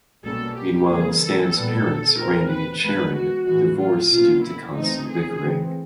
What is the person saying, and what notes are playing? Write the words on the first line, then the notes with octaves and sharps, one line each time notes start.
Meanwhile, Stan's parents, Randy and Sharon, divorce due to constant bickering.
B2 G3 A#3 C#4 A4
G4
C#3 E3 G3 A#3 G#4
A4
A#2 G3 B3
E3 G#3 C4 A#4
B4
E3 G#3 B3 B4
F#4
A2 E3 G#3 F#4
F4
B2 F#3 A#3 C#4 F4
E4
E3 A3 C4 D#4
G#4
E3 A3 C4